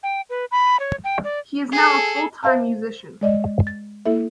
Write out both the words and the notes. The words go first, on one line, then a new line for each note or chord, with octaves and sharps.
He is now a full-time musician.
G5
B4
B5
C#5
G5
D5
G#4 A4
C5 E5 F5 A5 A#5
G#3 D5 D#5
A6
A#3 E4 A4 E5